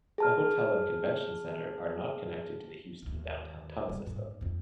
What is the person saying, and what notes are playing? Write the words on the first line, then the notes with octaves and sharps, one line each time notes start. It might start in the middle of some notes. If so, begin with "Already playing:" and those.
The hotel and convention center are not connected to the Houston downtown tunnel system.
G#4 A5 F6
D#2 G#2
C3 G3
G#2
F2 C4